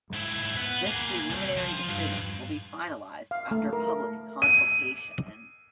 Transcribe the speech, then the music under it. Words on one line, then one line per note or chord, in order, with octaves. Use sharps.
This preliminary decision will be finalised after public consultation.
G#2 E4
B3 B4
A#3 G#4
C2
F3
G2
F5
A3
A#4
D#7